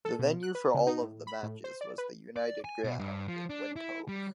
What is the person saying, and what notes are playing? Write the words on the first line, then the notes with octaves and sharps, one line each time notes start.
The venue for all of the matches was the United Ground in Windhoek.
A4
B2
F#6
B4
C#3
D#4
A2
B5
A2
C5
D5
B4
D5
G#5
B2
G2
F3
D4
E4
G3